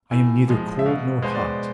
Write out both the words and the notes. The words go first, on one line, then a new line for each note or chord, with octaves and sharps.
I am neither cold nor hot.
A2 G#5
F3 G#3
E5
B2 F5
G#3 B3 C5
D5